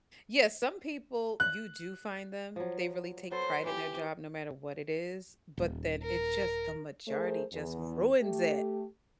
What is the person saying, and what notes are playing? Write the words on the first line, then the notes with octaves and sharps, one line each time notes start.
Yeah, some people, you do find them, they really take pride in their job no matter what it is, but then it's just the majority just ruins it,
F#6
F3 F#3
F#3 A4 B4 C5
E3 G4
D#1
A#4
A3 G#4 A#4 C5
E2
A3 G4